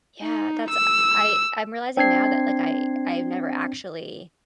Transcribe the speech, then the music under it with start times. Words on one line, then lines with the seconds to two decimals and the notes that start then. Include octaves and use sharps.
Yeah, that's I I'm realizing now that, like, I I've never actually
0.23 D#4
0.69 E6
1.97 C4 D4 G#6 C7